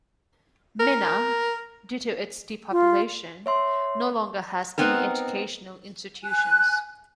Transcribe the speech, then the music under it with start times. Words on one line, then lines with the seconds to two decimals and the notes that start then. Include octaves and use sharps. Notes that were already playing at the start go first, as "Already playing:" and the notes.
Minna, due to its depopulation, no longer has any educational institutions.
0.80 A#4
2.71 F4
3.46 C#5 E5 C6
4.78 B3 C4 D#4 A#4
6.24 G#5 F#6